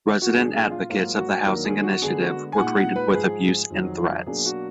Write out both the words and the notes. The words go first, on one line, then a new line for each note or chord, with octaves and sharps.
Resident advocates of the housing initiative were treated with abuse and threats.
F#4
A#2 F#3 D4 G#4
G#4
F4
G#2 F#3 A#3 F4
F#4
D#2 D#3 F#3 A#3 D4 A#4
G#4
F#4
D3 G#3 B3 D4 G#4
F#4
G#5
A#2 G#3 D#4 F#5
F#5
B4
G#2 F3 G#3 G#4
F2 D#3 F#3
B2 F#3 A#3 D4 G#4
F#4